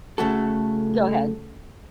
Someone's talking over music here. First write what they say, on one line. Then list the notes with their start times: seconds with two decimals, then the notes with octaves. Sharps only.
Go ahead.
0.18 C#3 A3 F#4 A4